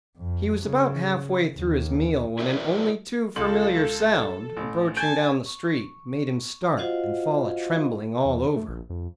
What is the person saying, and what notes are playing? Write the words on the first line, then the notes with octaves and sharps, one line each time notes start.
He was about half-way through his meal when an only too familiar sound, approaching down the street, made him start and fall a-trembling all over.
F2
C#3
D#2
E4 F#4 A#4 B4 D5 E5
C#2 F4 A4 F#7
A1
G#5 A5 G6 D7
C#6
F4 F#4 C5 D#5 F5 F#5
E2
A3
A#1
F2